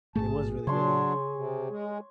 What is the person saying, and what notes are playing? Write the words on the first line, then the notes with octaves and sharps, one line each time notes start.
It was really good, yeah.
A1 G#2 A3 G#4 A5
C#3 F#3 D4 C#5 C6
C3
G#3